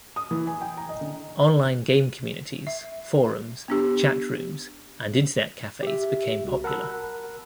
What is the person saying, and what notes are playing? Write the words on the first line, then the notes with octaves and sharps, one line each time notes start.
Online game communities, forums, chat rooms and Internet cafes became popular.
D#6
E3
G#5
G5
A#5
D#5
D3
E5
B3 D4 G4
G4 E5
C2 F#4
A#4 F#5 A5 B5 E6 F#6